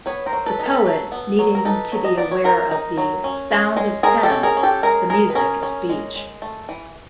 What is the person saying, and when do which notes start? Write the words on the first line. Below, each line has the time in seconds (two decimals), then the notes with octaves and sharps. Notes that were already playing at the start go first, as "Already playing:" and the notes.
The poet needing to be aware of the 'sound of sense;the music of speech'.
0.06 B3 B4 C#5
0.26 A#4 C5
0.33 F#3
0.46 A4 B4
0.59 D#4
0.66 A4 B4
0.85 F#3 A4 B4
1.12 B3
1.39 F#3
1.55 A#4
1.65 D#4 A4 B4
1.92 F#3
2.05 D#5
2.18 B3 D5
2.31 C#5
2.44 F#3 A#4 C5
2.71 D#4
2.98 F#3
3.24 C#4
3.51 C#4
3.77 G#3
4.03 G#3 G#4 A#4
4.23 G4 A4
4.30 C#4
4.43 G#4 A#4
4.57 C#4
4.63 G4 A4
4.83 G#3 G#4 A#4
5.09 G#3 G#4 A#4
5.30 B4
5.35 C#4 G#4 A#4
5.63 C#4
5.89 G#3
6.16 G#3
6.42 A3
6.69 E3